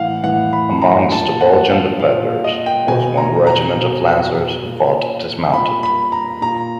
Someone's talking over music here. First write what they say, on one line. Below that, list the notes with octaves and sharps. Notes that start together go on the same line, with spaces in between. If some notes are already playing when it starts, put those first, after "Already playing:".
Amongst the Belgian defenders was one regiment of lancers who fought dismounted.
Already playing: A2 E3 F5 F#5
A2 E3 F#5
B5
A#5
A#2 A5
F#5
F5
A#2 F5
D#5
G5
B2 G#5
A#5
A#5
B2
A#2
A#2 B5
B5
A#5
A#2 A#5